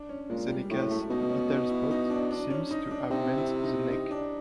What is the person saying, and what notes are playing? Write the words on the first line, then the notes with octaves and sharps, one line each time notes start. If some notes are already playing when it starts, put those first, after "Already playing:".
Seneca's "vital spot" seems to have meant the neck.
Already playing: D4
C#4
A#2 G#3
G3
A2 F#3
G#3
A3
B2 D#4
C#4
D#4
E4
D#4
D4
D4
C#4
D#4
D4
C3 D#4
E4
D#4
D#4
D4